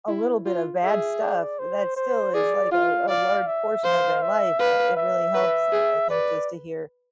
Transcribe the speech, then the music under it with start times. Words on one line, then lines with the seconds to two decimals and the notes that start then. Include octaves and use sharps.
a little bit of bad stuff that still is like a a large portion of their life. I it really helps, I think just to hear
0.08 E4
0.46 F4
0.83 G#4 E5
1.21 D5
1.59 C5
1.97 C5
2.34 G#4 D5
2.71 F4 F5
3.09 D5 F5
3.47 E5
3.84 C5 F5
4.22 E5
4.60 B4 F5
4.97 E5
5.35 B4
5.72 G#4
6.10 B4 D5